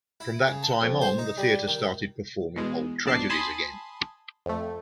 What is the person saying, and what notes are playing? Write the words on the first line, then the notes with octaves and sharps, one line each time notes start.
From that time on, the theatre started performing old tragedies again.
E4
C#3
A5
F2
C5
D#4
G3
D#3
E2 B2 G#3
A#1 B2 D5 A5 C7
G#5 A5 B5 C6 D#6
F2 A3